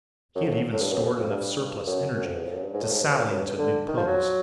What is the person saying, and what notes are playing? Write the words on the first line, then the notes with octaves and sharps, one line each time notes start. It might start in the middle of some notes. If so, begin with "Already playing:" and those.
He had even stored enough surplus energy to sally into a new pose.
F#2
F2
F#2
A2
G2
F#2
F2
F2
G2
F#2
F#2
F2
E2
F2
F#2
G2
G#2
A2
G#2
G2
F2
G2
F#2
G2
D3
D#3
F3
F#3